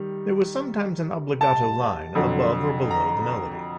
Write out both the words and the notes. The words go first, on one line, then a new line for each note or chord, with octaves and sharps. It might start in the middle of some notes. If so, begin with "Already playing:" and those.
There was sometimes an obbligato line above or below the melody.
Already playing: D#3 G3
A5
F2 D3 F#3
A#5